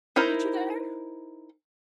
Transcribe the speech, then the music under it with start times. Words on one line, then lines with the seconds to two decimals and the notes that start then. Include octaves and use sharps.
Meet you there?
0.16 D#4 E4 A#4 C5